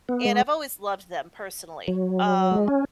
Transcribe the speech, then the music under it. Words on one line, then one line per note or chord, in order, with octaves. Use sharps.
And I've always loved them, personally. Um,
B3
G#3
F#3
G#3
C#4